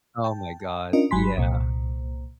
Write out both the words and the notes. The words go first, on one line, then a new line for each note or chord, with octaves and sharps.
Oh my god. Yeah.
G5 A5
C#4 D4 F4 A#4 D#5
G1 F#3 G#5 B5 C6 B6
C2 A#2